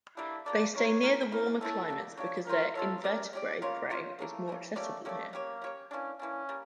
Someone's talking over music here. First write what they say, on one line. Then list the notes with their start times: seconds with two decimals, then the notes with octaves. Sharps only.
They stay near the warmer climates because their invertebrate prey is more accessible here.
0.17 G3 A#3 D4 E4 A4
0.45 G3 A#3 D4 A4 D5
0.75 C#4 E4 A#4 C#5
1.03 C#4 E4 A#4
1.31 E3 A3 C#4 E4 A#4
1.60 E3 A3 C#4 E4 A4
1.89 A#3 D4 G4
2.17 A#3 D4 G4 C#5
2.46 C#4 F4 A#4 C#5
2.75 C#4 F4 A4 C#5
3.04 C#4 G4 A#4 D5
3.33 C#4 G4 D5
3.62 A#3 C#4 F4 A#4 C#5
3.90 C#4 F4 A#4 C#5
4.19 C#3 E3 A3 A#3
4.47 C#3 E3 A#3
4.76 A3 A#3 C#4 G4 D5
5.05 A3 A#3 C#4 G4 D5
5.33 A#3 C#4 G4 C#5
5.62 C#4 G4 C#5
5.91 E3 A#3 C#4 D4
6.19 E3 A#3 C#4 D4
6.49 G3 A#3